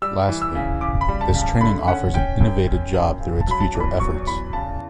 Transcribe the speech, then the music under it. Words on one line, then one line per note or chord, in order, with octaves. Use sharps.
Lastly, this training offers an innovative job through its future efforts.
G3 E6
E3
E6
C#3
C#3 D6
B5
G3
A5
C#3
A5
D3 B5
C#4 F#5
C#4 G5
F#2
C#4
F#2
C#3
A5
F#3 B5
A5
E2
B5
F#3 C#6
E2 B5
C#3 A5